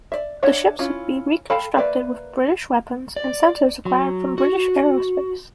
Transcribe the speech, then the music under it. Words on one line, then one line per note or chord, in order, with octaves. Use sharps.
The ships would be reconstructed with British weapons and sensors acquired from British Aerospace.
D5 E5
D4 C#5 E5 F#5 A5
C#4 E4 F4
A4 F5 G5 A5 B5
A#3 B4 D5 E5
D5
F#3
F#4